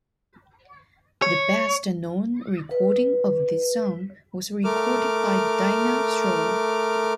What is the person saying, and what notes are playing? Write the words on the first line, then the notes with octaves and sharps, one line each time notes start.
The best-known recording of this song was recorded by Dinah Shore.
C#5
B4
A3 A#4 D6 F6